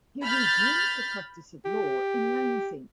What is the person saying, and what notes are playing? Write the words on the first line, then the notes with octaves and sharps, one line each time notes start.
He resumed the practice of law in Lansing.
B5 F6 G6 A6
G4